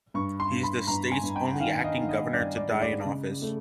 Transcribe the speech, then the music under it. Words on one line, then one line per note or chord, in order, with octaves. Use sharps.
He is the state's only acting governor to die in office.
G2 C#6
C6
G2
B5
G2 A#5
G#5
G2
G5
F#5
D#3 F5
D#5
D#3
D#5
G2 D5
D5
G#3
D5
C#3
A3